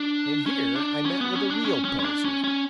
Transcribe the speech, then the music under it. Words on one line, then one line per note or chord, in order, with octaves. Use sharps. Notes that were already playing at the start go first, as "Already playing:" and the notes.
And here I met with a real poser.
Already playing: D4
C#4
D4
C#4
B3
C#4
D4
C#4
C#4
C#4
D4
C#4
C#4